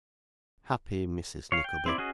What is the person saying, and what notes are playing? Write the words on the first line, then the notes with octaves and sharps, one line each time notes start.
Happy Mrs Nickleby!
C#5 F5
G5
C4 E4 D5
C#4 F#4 G#4 D#5